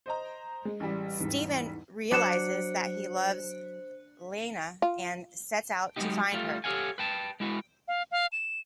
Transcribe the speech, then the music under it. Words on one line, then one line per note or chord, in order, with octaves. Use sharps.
Stefan realises that he loves Ileana and sets out to find her.
C5 D#5 A#5
G#3
A1 G3
E2 G#2
F#3 D4 C5 F#6 C#7 E7
F4
F#3 G#3 A#3 B3 D#4 G4
G3 A3 F4
G4 A4 C#5 F5 F#5 G#5
B4 G5 A5
G#3 E4 F#4 B4
F5
F5
E7